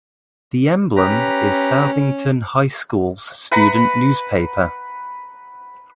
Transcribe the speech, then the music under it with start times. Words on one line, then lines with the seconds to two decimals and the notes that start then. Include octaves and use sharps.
"The Emblem" is Southington High School's student newspaper.
0.96 C#4 G4 B4 A#5
3.51 B4 F#5 A#5 B5